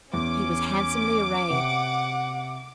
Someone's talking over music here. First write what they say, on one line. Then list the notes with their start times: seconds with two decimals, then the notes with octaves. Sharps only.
He was handsomely arrayed.
0.14 E2 C#4 D6
1.50 C3 F#5